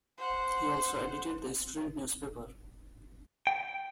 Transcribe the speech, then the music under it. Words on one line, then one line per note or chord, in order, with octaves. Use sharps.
He also edited the student newspaper.
C5 F#5
G5